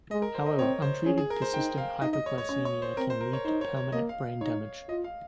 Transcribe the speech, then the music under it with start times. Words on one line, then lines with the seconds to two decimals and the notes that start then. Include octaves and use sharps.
However, untreated persistent hypoglycemia can lead to permanent brain damage.
0.11 G#3 D#5
0.22 A#4
0.34 C5
0.46 D#5
0.58 C4 C#5
0.82 C5
1.06 C#4 G#4
1.18 G#4
1.30 A#4
1.42 C5
1.54 D#4 G5
1.78 F5
2.02 D#4 D#5
2.13 D#5
2.26 C#5
2.38 C#5
2.49 C#4 C#5
2.65 C#5
2.82 C5
2.97 C4 A#4
3.10 C5
3.21 A#4
3.33 C#5
3.45 D#4 C5
3.61 C#5
3.76 C#5
3.92 A#3 D#5
4.09 F5
4.41 D#4 C#5
4.89 F4 D#5
5.04 F5